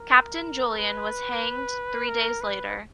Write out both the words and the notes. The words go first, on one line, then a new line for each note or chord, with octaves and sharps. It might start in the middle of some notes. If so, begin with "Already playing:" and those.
Captain Julian was hanged three days later.
Already playing: A#4
B4
A#4
B4